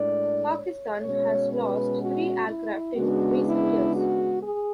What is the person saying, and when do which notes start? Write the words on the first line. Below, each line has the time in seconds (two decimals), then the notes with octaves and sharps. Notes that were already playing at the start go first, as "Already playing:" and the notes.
Pakistan has lost three aircraft in recent years.
Already playing: A2 G#3 D4 D5
0.54 C#5
1.02 B2 G#3 C#4 C#5
1.50 B4
1.99 F#4
2.47 E4
2.95 C#3 G#3 B3 D4 F#4
3.43 E4
3.92 F#4
4.40 G#4